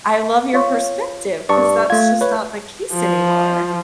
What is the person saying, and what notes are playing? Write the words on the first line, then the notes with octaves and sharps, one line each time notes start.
I love your perspective 'cause that's just not the case anymore.
F4 C#5
G2 D5 A5 C#6
A3 F4 G#6
B4 C#5
F3